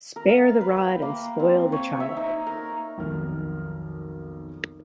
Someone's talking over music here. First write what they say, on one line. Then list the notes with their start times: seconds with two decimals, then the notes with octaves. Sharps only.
Spare the rod and spoil the child.
0.16 A#4
0.29 F5
0.61 B4
0.79 G5
1.02 A#3
1.39 C4
1.72 C#5
2.00 E5
2.17 D#4
2.47 A#4
2.98 B1 F2 D#3 A#4 F6